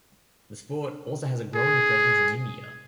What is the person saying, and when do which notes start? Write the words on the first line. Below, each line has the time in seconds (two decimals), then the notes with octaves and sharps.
The sport also has a growing presence in India.
1.54 G#4